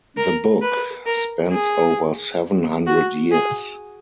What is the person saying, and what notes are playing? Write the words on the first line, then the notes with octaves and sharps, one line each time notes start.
The book spans over seven hundred years.
A#4
B4
A#4
G#4
F#4
G#4